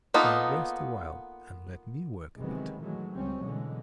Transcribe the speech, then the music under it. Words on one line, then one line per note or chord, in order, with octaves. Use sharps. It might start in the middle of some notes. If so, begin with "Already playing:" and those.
"Now rest awhile-and let me work a bit."
A#3 B3 D#4 F4 A4
C3 D#3 E3 F#3 G#3 B3
A#2 D#3 E3 F#3 G#3 A3
C#2 F3 G3 C4 C#4
B2 D3 E3 F#3 G#3